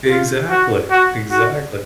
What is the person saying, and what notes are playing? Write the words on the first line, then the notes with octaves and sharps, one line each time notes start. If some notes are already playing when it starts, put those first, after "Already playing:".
Exactly, exactly.
F4
F#4
F#4
F#4